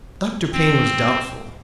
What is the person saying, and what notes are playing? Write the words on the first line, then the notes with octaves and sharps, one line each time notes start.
Dr. Payne was doubtful.
C4